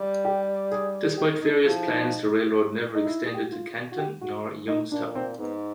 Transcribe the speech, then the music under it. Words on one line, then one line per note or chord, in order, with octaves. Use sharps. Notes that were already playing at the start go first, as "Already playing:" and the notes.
Despite various plans the railroad never extended to Canton nor Youngstown.
Already playing: G3
G4
G#4
G#4
G4
D#4
F3 E4
E4
D#4
D#4
E4
G#4
G4
F#4
F4
F#4
G4
F#4
D#4
A#2 D4
C4
G#2 B3